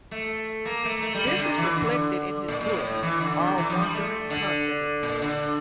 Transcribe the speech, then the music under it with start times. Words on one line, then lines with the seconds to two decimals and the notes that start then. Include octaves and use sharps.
This is reflected in his book "Our Wandering Continents".
0.11 A3
0.65 A#3
0.85 A3
1.02 A3
1.14 G3
1.26 D3
1.39 C3
1.58 E3
1.76 D3
2.48 A#2
2.61 A#2
2.73 A2
2.84 A2
3.03 E3
3.21 D3
3.40 C3
3.58 E3
3.69 F3
3.83 G3
3.94 A3
4.30 D3
5.03 A#2
5.22 D3